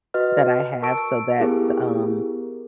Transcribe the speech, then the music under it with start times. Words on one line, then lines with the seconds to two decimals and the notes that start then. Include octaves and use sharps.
that I have, so that's, um
0.14 F#4 B4 D#5 F6
0.82 A#4 A5 C#6 E6 D7
1.40 B3 E4 G4 G#4 A#4